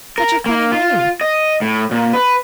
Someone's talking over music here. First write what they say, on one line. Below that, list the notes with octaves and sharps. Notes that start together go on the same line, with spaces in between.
"Such a funny name."
A#4
A#3
F4
D#5
A2
A#2
B4